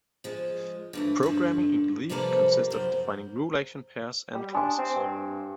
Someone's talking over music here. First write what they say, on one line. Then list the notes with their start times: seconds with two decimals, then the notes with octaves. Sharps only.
Programming in Lithe consists of defining rule-action pairs and classes.
0.24 F3 G#3
0.93 G2 E3 A3
1.23 G2 D3
2.10 C3 F3 G3 A#3 A4 B4
2.70 F#2 C5
4.35 G3
4.55 D4 G#5 C6 D#6
4.78 C4
4.96 G2